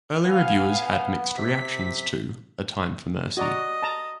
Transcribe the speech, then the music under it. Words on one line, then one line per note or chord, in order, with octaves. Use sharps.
Early reviewers had mixed reactions to "A Time for Mercy".
B3 F5 G#5
C3 B6
F#4 D5 D#5 A#5
A5 A#5